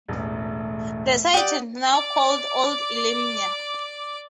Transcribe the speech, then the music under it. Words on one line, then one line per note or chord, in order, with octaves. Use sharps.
That site is now called Old Iliamna.
E1 A1 E2 A3
G4 D5 F#5 D#6
D5 D6